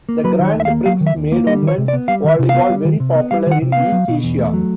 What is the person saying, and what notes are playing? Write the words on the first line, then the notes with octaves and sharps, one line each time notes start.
The Grand Prix made women's volleyball very popular in East Asia.
A#3
F#3 B4
D#3
C#5
D#2 E5
F5
A#3
F#3 F5
D#3
E5
D#2
A#3
G3 D#5
D#3
C#5
C3
D5
B3
G3 F5
D#3 E5
C3
F5
B3
G3
D#3
C3
B3
G3 F5
D#3 F#5
C3
B3 F5
F#3
B2
E2
A3
F#3